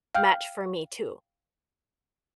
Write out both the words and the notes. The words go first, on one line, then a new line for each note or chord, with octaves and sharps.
match for me too."
F5 G5 F6 G6